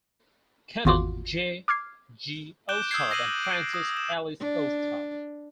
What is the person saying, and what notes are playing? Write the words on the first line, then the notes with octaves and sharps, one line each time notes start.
Canon J. G. Elstob and Frances Alice Elstob.
G#1 E2 F4 F#4 C6 D6
D6 F6 G#6 C7
D6 F#6 G6 D7 E7 G7
D#6 E6 G6 G#6 C7
E6 A#6 C7 D#7 F#7
D7
D#6
E7
D4